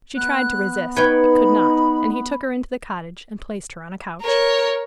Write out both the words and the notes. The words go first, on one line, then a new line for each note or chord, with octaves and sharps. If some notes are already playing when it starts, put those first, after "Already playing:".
She tried to resist, but could not, and he took her into the cottage and placed her on a couch.
B3 F#6
D#4 B4 C#5 G5 B5
A#4 C#5